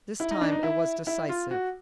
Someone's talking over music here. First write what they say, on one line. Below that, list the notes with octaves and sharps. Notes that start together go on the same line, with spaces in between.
This time, it was decisive.
E4
D#4
D4
D#4
E4
E4
F4
F#4